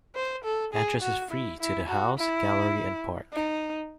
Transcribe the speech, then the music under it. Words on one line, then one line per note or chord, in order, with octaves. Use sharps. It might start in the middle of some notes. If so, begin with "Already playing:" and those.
Entrance is free to the House, Gallery and Park.
C5
A4
G#4
F#4
E4
E4
F#4
E4
D#4